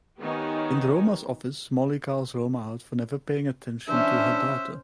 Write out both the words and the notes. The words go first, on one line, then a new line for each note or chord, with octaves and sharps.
In Roma's office, Molly calls Roma out for never paying attention to her daughter.
D#3 B3 D#4 G4 C#5 G#5
E3 G3 C#4 D4 E4 C5 E5